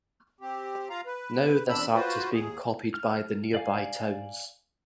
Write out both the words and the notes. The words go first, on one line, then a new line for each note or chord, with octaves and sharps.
Now this art is being copied by the nearby towns.
C4 G4
F4 F5 A#5
B4
E2 C4 D4 B5 E6
F4 F#4 B4 C5
D#2 G#4
F6
D5 F5 G#5